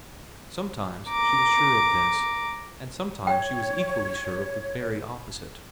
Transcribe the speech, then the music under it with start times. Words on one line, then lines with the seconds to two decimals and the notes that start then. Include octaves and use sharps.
Sometimes she was sure of this, and sometimes she was equally sure of the very opposite.
1.10 A#5 D6
3.27 C#5 G5